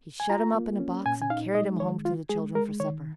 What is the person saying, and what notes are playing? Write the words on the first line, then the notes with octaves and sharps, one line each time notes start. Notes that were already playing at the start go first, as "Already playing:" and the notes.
He shut him up in a box and carried him home to the children for supper.
G#5
F4 A#5
A#3
C#4
A#2 G#5
G#5
D#4 F5
G#3 D#5
D#3 C#5
F4
G#3 G#4
G#3 A#4
D#3 C#5